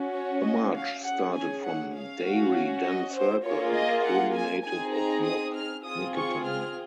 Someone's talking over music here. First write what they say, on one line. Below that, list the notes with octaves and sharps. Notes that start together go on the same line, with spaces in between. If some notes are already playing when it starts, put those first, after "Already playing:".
The march started from Dairy Den Circle and culminated at Yog Niketan.
Already playing: C#4 F#4
C#5
D#5
F5
C#4 G#4 F#5
G#5
F#5
F5
C#4 F#4
D#5
C5
A#3 F4 G#4 C#5
D#5
F#5
G#5
C4 D#4 G#4 G#5
A#5
D#6
F6
C4 F4 G#4 D#6
C#6
F6